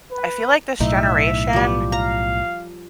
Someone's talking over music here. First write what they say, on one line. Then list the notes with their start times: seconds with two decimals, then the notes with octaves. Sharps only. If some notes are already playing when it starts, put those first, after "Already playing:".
I feel like this generation-
0.11 B4
0.80 B1 A2 D#4 E5
1.53 F3 G3
1.92 F5 A#5